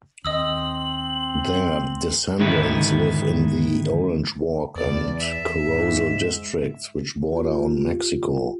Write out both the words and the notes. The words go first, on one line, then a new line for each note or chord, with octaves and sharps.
Their descendants live in the Orange Walk and Corozal districts, which border on Mexico.
D#2 C4 D#5 D#6 E6 F#7
G#2 D3 D#3 D#4 E4
E2 D5
E5
G#2
F4 G4